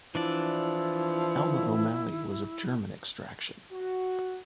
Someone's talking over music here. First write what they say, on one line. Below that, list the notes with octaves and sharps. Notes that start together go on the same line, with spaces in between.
Alma O'Malley was of German extraction.
E3 F3 D4 E4 D5
F#4